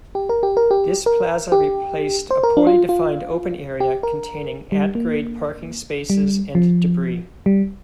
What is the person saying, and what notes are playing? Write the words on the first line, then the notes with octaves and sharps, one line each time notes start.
This plaza replaced a poorly defined open area containing at-grade parking spaces and debris.
G4
A#4
G4
A#4
G4
A#4
G4
C5
A#4
D4
F4
F4
G4
A#4
G3
A#3
G3
F3
G3